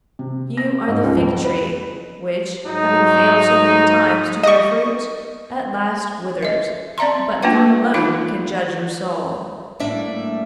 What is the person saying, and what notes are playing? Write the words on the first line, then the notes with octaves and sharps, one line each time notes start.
You are the fig tree which, having failed so many times to bear fruit, at last withered, but God alone can judge your soul.
C3
A#6
G#2
C#2
F2
B4
G#2 F#3 D#4
D#5 C#6
D#5 E5
C4 D5 E5 A#5 C6
A#3 D4 F4 B4 E5 F#5
D#4 F4 F5 B5
A2 G3 A#3 D4 E5